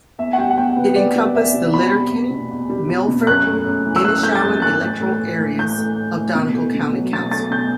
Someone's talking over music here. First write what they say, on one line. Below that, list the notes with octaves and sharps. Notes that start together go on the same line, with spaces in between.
It encompassed the Letterkenny, Milford and Inishowen electoral areas of Donegal County Council.
E2 E5
F#5
G3 G5
F#5
E2 G5
C3 B4
E2 D5
G3
E2 E5
C3
E2 B5
G3
E2
B2
E2
G3
E2
B2
F#2 F#6
A3
F#2
E3
E6
F#2 F#6
A3 G6
A6
F#2 G6
E3 F#6
A2
A3
A2
E3
A2 G6
A3
A2
E3
B2
A3
B2
F#3
B2 A6
A3 A6
B2 G6